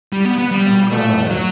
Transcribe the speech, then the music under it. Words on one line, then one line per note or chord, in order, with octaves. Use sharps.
Oh god.
G3
B3
B3
G3
A3
F#3